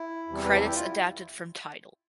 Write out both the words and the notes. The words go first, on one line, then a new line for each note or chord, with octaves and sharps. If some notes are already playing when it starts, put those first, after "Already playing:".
Credits adapted from Tidal.
Already playing: E4
E2 C3 E3 G3
B4
A4
G4
F4
E4